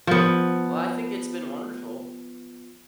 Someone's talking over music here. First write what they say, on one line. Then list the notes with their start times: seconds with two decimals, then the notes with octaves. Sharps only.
Well, I think it's been wonderful,
0.07 F3 B3